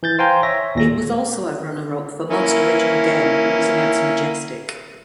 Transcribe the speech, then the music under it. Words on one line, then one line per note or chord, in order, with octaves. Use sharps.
It was also runner-up for "Most Original Game", losing out to "Majestic".
E3 G6 A6
C5 F5 G5 G#5 A#5 C6
C#5 E5 A#6
D#2 A#2 A#6
A#3 C#4 E4